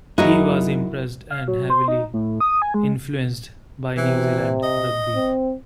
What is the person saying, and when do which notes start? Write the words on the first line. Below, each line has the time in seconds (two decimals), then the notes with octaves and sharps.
He was impressed and heavily influenced by New Zealand rugby.
0.18 F#2 F#3 D#4 E4 F#4 G#4 A#4
1.31 F5
1.48 F#3
1.70 C5
1.88 D#4
2.14 A2
2.40 D#6
2.62 G#5
2.74 G#3
3.97 C3 E3
4.63 D#5
5.15 C4